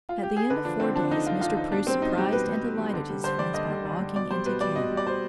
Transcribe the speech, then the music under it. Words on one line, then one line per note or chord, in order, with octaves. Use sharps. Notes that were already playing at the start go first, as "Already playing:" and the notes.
At the end of four days, Mr. Preuss surprised and delighted his friends by walking into camp.
F4
G4
G#4
D3 B4
F3 D4
D3 C4
F3 D4
D3 D#4
F3 F4
D3 F4
F3 D#4
B2 D4
G3 C4
B2 D#4
G3 G4
B2 B4
G3
B2
G3
D3
G3
D3 C5
G3 D5
D3 D#5
G3
D3
G3
B2 D5
G3 C5
B2 B4
G3 D5
B2 D#5
G3
D5
B2 C5